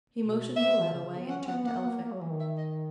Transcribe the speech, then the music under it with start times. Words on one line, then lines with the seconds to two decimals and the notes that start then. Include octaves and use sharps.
He motioned the lad away, and turned to Elphick.
0.19 B2
0.56 A#3 E5
0.68 G#3
0.80 E3
0.93 C#3
1.05 C#3
1.18 B3
1.29 C#4 F#5
1.48 B3 F#5
1.66 A#3 F#5
1.76 B3
1.86 A#3
2.03 A#3
2.12 F#3
2.21 E3
2.31 D#3
2.40 E5
2.58 D#5